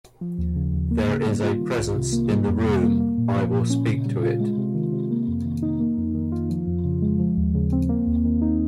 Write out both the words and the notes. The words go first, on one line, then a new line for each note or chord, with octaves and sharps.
There is a presence in the room; I will speak to it.
F3
D#2
C#3
D#2
A#3
C#3
G3
F4
D#3
C2
C3
A#3
G3
F2
C3
A#3
A#3
A#2
F3
A#2
C#4
C#3
G3
F4
G#3
C3
D#3
C3
A#3
F2
D#3
D#4
A#3
F2
D#3
F4
F3
F2
C#3
G#3
F3
D#2
C#3
C4
A#3
D#2
D#3
D#4